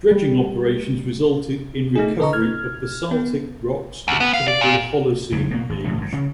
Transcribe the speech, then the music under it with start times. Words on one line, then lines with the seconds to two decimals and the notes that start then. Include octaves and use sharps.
Dredging operations resulted in recovery of basaltic rocks of probable Holocene age.
0.11 G3
1.95 A3 D#4 G#4
2.19 D3 A4 B4 D#5 A#5 C#6
2.33 F6 G#6
3.11 B3
4.08 D2
4.20 B3
4.33 F5
4.48 D5
4.61 A#2
5.32 F#1 F2 C#3
5.51 B2 A#3
5.69 G#1
5.84 C#2 A2 F3 A3
5.98 G#1 F#2
6.13 C#3 C#4